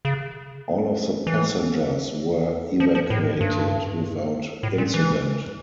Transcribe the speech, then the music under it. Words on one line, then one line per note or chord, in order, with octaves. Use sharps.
All of the passengers were evacuated without incident.
C#3
E3
F3
F3
A2
G2
A2
A#2
E3